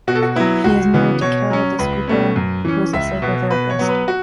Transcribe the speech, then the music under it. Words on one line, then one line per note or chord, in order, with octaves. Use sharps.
He is married to Carol Dasgupta, who is a psychotherapist.
B2 F#4
A4
F#4
F#3 B3 E4
C#2 F#4
C#3 E3 B3
B2 C#5
F#3 C#4
C#2 B4
B2 A3 C#4
F#2
E3 C#4
C#2 E5
B2 B3
B2 B4
C#5
F#3 B3
B4
F#4